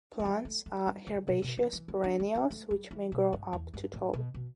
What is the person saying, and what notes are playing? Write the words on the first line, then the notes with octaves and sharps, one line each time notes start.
Plants are herbaceous perennials which may grow up to tall.
A3
G3
A3
A3
G3
D3
B2
B2
E3
E3
B3
D4
A3
B3
A3
G3
E3
B2
G2
E2
G2
A2
B2
B2